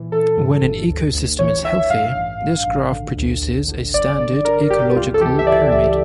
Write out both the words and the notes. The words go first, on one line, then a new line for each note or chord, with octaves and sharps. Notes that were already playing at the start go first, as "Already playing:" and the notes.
When an ecosystem is healthy, this graph produces a standard "ecological pyramid".
Already playing: A#2 E3
E3 A4
G2
G1
D2
D2
E3 C#5
E3 E5
G2 F5
A1
G2
A1
D3
D2
D2
D3
G1 D5
D3
D3 A#4
G1 G4
C#2 F4
A4
E3 G4
E5
E3 D5
C#2 E5